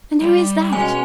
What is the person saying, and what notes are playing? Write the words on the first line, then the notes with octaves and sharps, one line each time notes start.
And who is that?
G3 D5
B2 G#3 C#4 G#5